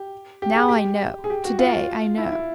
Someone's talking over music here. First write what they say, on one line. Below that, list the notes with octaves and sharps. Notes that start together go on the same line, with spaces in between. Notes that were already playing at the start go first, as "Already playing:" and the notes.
Now I know--to-day I know.
Already playing: G4
G4
G#4
G4
G#4
G4
F#4
F4
E4
E4